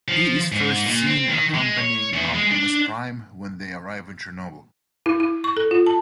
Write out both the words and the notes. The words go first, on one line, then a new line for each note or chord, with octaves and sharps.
He is first seen accompanying Optimus Prime when they arrive in Chernobyl.
F3
G#2
A#2
C4
D#3
G#3
C#5
E2
G#3
D4
E4
E4
C#6
A4
F4
A5